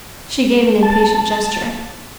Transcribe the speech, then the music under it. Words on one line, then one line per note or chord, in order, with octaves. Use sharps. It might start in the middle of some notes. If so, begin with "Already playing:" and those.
She gave an impatient gesture.
A5